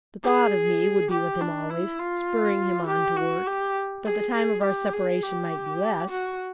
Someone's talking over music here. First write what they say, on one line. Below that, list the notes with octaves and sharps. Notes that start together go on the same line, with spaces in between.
The thought of me would be with him always, spurring him on to work, that the time of our separation might be less.
G#4
G4
D4
E4
F4
G4
F#4
G4
G#4
G#4
G4
G#4
G4
F#4